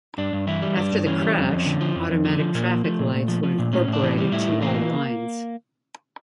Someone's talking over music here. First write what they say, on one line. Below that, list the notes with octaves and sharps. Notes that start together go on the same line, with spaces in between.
After the crash, automatic traffic lights were incorporated to all lines.
G2 D4
G2
E3 E4
G3
G2 D4
G2
E3 C#4
G3
F2
F2
D3
F3
F2
F2
D3
F3
A#2 A#3
F3
F3 A3
A#2
A#2
F3
F3
A#2
A2 C#4
A2
D4
E3
G3
A2 E4
A2
E3 A#3